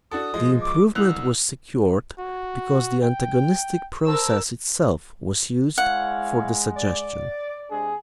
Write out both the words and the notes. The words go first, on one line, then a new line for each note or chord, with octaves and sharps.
The improvement was secured because the antagonistic process itself was used for the suggestion.
D4 F#4 A4 D#6
F3 G#3 D#5
D6
C2 E6 F#6 F7
F#4
G5
A#4 C5 A5 E6
G#3 E4 C#5 F5 F#5
D5
C3 G#3 D4 G#4